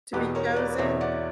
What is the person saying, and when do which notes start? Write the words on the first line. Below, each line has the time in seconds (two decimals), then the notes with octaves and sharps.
to be chosen.
0.13 E2 B2 G4 B4
0.35 A#4 C#5
0.56 B4 D5
0.78 E2 B2 C#5 E5
1.01 D5 F#5